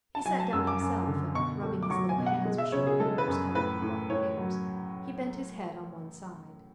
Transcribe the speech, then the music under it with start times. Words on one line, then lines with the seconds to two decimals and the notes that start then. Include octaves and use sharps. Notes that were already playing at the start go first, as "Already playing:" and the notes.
He sat down himself, and, rubbing his little hands with short fingers covered with white hairs, he bent his head on one side.
0.15 A5
0.25 F#3 G#5
0.40 A5
0.53 F#2 E6
0.67 D6
0.80 F#2
1.07 D3
1.35 B2 C#6
1.63 A3
1.83 D6
1.90 F#3 C#6
2.09 G#5
2.18 B2
2.26 F#5
2.45 G#3
2.58 E5
2.72 C#3 C#5
2.87 G#4
3.00 G#3 A4
3.18 B4
3.28 F#2
3.55 A2 B4
3.82 A2
4.10 A2 C#5
4.37 F#3